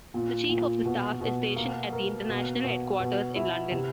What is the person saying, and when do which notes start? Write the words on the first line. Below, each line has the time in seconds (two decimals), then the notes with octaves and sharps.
The Chief of the Staff is stationed at International Headquarters in London.
0.14 A#2
0.49 A#2
0.85 B2
1.21 B2
1.56 A#3
1.93 A#4
2.29 B2
2.64 B2
3.00 B2
3.36 E4
3.71 C3